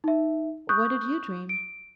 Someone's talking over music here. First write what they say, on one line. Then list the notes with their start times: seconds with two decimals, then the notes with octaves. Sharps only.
'What did you dream?'
0.04 D#4 E5
0.69 C#6 D#6 F#6 G6
1.49 D7